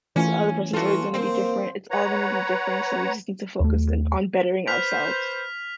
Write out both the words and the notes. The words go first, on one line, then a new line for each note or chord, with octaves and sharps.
the other person's story is gonna be different, it's all gonna be different, so we just need to focus in on bettering ourselves.
E3 A3 C#4 F4
E3 F4 F#4 A4
A#3 C4
B4 C#5 F#5 A#5
D#2 A3
B4 C5 F6 B6 F7